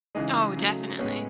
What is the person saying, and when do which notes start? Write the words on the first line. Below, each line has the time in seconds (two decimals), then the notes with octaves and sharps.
Oh, definitely.
0.15 C#3 E3 G#3 D#4 D#5
0.57 C#3 F#3 A3
0.99 A2 G#3 B3 C#4 C#5